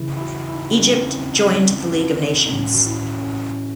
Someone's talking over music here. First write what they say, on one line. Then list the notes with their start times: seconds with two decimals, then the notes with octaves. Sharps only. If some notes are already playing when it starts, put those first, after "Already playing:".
Egypt joined the League of Nations.
Already playing: C#3 E3 E4
0.17 E4
0.21 F#4
0.49 E4
0.55 D#4
0.71 C#4
0.88 C4
1.05 C4
2.45 D#4
2.52 A2 E3 C#4
2.74 F#4
2.86 E4
3.18 C#4